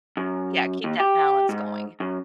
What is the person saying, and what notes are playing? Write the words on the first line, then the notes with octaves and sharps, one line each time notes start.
yeah, keep that balance going,
F#2
D#2
G4
G#2
F#2